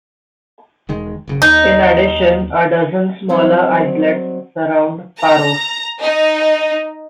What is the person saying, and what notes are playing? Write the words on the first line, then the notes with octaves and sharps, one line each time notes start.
In addition a dozen smaller islets surround Paros.
E1 D#3 G#3
F#1 A2 C#3
D#2 D#4
D#3 F#3 G3 C4
A#5
D#4